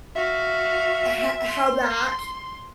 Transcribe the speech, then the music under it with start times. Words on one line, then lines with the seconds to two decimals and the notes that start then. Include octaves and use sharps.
ho how that,
0.16 F#4 E5 F5
1.49 C6